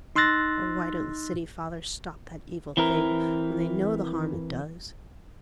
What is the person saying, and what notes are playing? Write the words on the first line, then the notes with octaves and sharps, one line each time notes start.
Oh, why don't the city fathers stop that evil thing, when they know the harm it does?
D#4 C6 E6 F#6 A6 A#6
E3 C4 E4 A#4